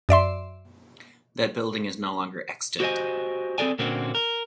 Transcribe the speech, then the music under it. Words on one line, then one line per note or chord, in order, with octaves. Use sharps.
That building is no longer extant.
F#2 D5 E5 C6
F#4 G4 C5 D5 D#5 G#5
C4 G#4 A4 D5 G#5
A#2 D3 A#3 C4 C#4 F#4
A#4